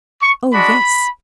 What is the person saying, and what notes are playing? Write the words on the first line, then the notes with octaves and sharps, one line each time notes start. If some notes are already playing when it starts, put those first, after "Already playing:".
"Oh, yes."
C#6
G#3 D4 F#4 B5